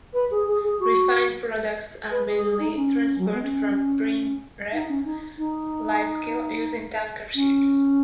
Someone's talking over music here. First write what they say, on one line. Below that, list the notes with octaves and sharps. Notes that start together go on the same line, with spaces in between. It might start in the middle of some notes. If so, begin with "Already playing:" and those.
Refined products are mainly transported from Preemraff Lysekil using tanker ships.
B4
G#4
G#4
G#4
F#4
B4
G#4
G#4
D#4
C#4
F#3
G#3
B3
C#4
D#4
C#4
D#4
D#4
C#4